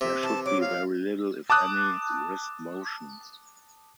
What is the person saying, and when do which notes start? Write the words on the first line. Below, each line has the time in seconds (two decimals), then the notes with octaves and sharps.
There should be very little, if any, wrist motion.
0.01 C3 E5
0.23 E3 A5
0.46 F#3 D6
0.61 F5
1.50 A5 D6 D#6 F#6